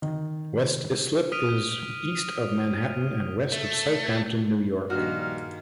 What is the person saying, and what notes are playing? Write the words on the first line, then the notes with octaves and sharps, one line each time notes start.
West Islip is east of Manhattan and west of Southampton, New York.
D#3
D#6 F6 B6 D7 D#7 F7
A3
A#1 G2 D#3 G#3 A#3 F#4 F6